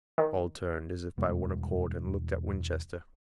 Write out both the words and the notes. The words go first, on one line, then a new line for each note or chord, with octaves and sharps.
All turned as if by one accord and looked at Winchester.
D#3
E2 B2 G3 G#3